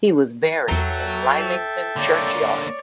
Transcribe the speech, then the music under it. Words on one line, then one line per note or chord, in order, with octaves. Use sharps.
He was buried in Lymington churchyard.
E2 F#3 A4 E5 G5 A#5
D3 A#3 C#5 D5